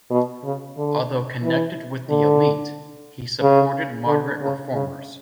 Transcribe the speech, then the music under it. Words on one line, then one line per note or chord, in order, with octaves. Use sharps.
Although connected with the elite, he supported moderate reformers.
B2
C#3
D3
E3
D3
C#3
D3
C#3
C#3